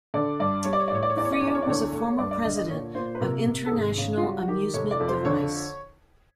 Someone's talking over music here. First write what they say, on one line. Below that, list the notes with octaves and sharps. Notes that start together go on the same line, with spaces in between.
Feerer was a former president of International Amusement Device.
D3 D5
G2 D5
G3 C#5
D5
C#5
D5
A1 C#5
D5
C#5
E2 D5
C#5
D5
E2 C#5
D5
C#5
D5
D3 C#5
D2
C#5
G2 D5
D5
D3 D#5
D#5
A#2 C#5
A#2 C5
B4
C3 A#4
C3
A4
G#1 G#4
C#3
F4
G3 F#4
F#4
D#3 G4
F1 C#5
D5
F2
C5
D3 C#5